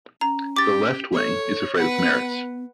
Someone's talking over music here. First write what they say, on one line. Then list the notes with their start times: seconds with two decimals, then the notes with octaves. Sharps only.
The left wing is afraid of Meretz.
0.21 C#4 A#5
0.56 G4 D6 A6
1.14 A4 C#5
1.75 B3 B4 F#5